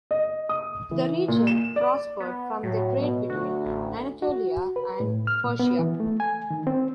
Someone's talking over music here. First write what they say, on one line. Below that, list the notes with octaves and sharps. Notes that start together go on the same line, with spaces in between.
The region prospered from the trade between Anatolia and Persia.
D#5
D#6
E3
A#2
E7
D5
B3
A2 F#3
B2
D2 F#4
A1
F#4
B4
A2
F6
A#2
B3
E3
A3
G#5
D#3
C4